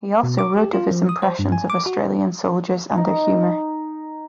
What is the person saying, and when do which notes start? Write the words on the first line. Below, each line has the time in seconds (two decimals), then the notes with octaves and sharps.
He also wrote of his impressions of Australian soldiers and their humour.
0.23 B2
0.39 D6
0.57 G4
0.73 F4
0.91 F3
1.09 D#6
1.22 C5
1.39 G2
1.52 G#5
1.70 D6
1.86 F#4
2.97 D#4